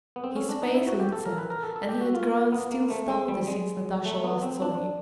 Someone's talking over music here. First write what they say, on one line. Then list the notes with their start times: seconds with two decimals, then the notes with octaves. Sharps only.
His face looked sad, and he had grown still stouter since Natasha last saw him.
0.16 B3
0.24 C4
0.36 C#4
0.49 D4
0.62 D#4
0.74 E4
0.87 F#4
1.00 G4
1.12 A4
1.25 A#4
1.38 B4
1.50 A#4
1.63 A4
1.76 A4
1.89 G4
2.01 F#4
2.15 F4
2.52 B3
2.71 A#3
2.90 A3
3.09 G#3
3.28 G3
3.47 G#3
4.05 A3
4.24 B3
4.43 C4
4.62 D4